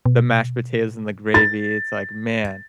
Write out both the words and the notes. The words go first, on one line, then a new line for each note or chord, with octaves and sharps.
the mashed potatoes and the gravy, it's like, man,
B2
A6